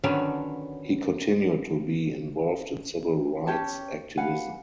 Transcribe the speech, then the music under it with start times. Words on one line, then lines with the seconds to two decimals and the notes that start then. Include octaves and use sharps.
He continued to be involved in civil rights activism.
0.04 D3 D#3 F#3 B3 C#4 D4
3.47 C#4 G4 C#5 A5
4.17 B4 F5 F#5 G#5